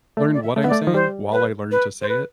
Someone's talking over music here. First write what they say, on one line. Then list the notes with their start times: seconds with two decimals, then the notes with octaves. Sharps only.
learn what I'm saying while I learned to say it,
0.17 A3 D5
0.33 D5
0.42 E5
0.56 A3
0.62 B3 E5
0.69 D5
0.71 A3
0.87 F3
0.94 G3 C5
1.32 B4
1.71 B4
2.01 C5
2.08 B4